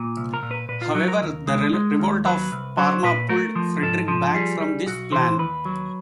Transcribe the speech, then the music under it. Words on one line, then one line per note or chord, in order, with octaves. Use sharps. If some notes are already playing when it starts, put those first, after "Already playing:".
However, the revolt of Parma pulled Frederick back from this plan.
Already playing: A#2
C2
A#4
A#2
B4
A#2 B4
F4
F#3 F#4
A#4
D#2
G#3
G#3
D#2
F#3 B4
C2
F#3 C5
A#2 B4
A3 A#4
F3
G#2 A4
F3
G3 G#4
G3
B1 F#4
E3 C5
D#2 B4
F#3